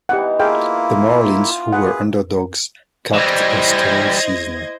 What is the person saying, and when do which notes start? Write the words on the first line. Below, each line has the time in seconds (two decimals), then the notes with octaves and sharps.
The Marlins, who were underdogs, capped a stunning season.
0.09 E3 B3 D#4 G4 F#5
0.40 A#3 E4 F4 G#4 F5 G5
1.73 G#4 B4 F#5
3.14 E3 G3 E4 C5 D#5 G#6 A#6